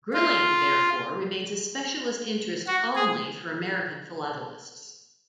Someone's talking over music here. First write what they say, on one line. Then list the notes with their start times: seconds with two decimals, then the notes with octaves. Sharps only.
"Grilling" therefore remains a specialist interest only for American philatalists.
0.13 F4
2.67 F#4
2.95 G#4